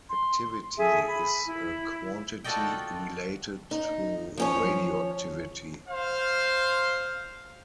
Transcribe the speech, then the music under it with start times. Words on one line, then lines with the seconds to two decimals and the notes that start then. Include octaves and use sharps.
Activity is a quantity related to radioactivity.
0.09 C6
0.78 G#4 A4 E5 G#5
1.08 B5
1.46 E4
2.44 F4 F#4 A4 D5 D#5 G5
3.71 D#4
4.37 F3 C#4 C#5
5.89 C5 F5